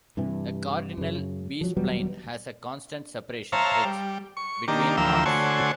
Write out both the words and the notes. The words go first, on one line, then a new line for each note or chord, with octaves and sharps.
A cardinal B-spline has a constant separation, "h", between knots.
G2 C3 E3
F#2 C#3
F3 F#3
D#1 F#3 G3 B3
C5 C#5 E5 F5 A5 A#5
G3
C#6
D#3 A#3 D4 G4
D2 E3 F3 A#4 G5 E6
D3 A3 F#4 C5 C#5 G#5